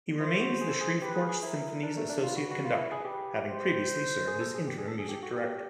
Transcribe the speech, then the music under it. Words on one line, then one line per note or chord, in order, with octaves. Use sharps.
He remains the Shreveport Symphony's Associate Conductor, having previously served as Interim Music Director.
E4 C5
F#4
G#4
A4
G#4
G4 B4
G#4
G#4
E4 A#4
D4
A3
D4
F4 B4
F#4
F#4
F4
E4
G#4
G4 B4
C5
G#4
A4
G#4
G4
G#4
A4
G#4
G4 A4
F#4
G4